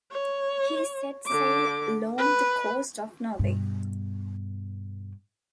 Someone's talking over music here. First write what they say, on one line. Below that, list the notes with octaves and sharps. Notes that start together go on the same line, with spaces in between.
He set sail along the coast of Norway.
C#5
D3 D6
B4
G2 B2